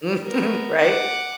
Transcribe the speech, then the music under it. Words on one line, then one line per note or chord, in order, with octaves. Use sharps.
Mhm, right?
B3 A#4
F#5 D6